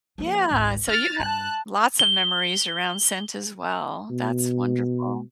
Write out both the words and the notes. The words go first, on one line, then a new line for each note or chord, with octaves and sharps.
Yeah, so you have lots of memories around scent as well. That's wonderful.
F3 A#3
G#1 C#2
D#4 F6 A6
G2 A5 F#6
G7
B2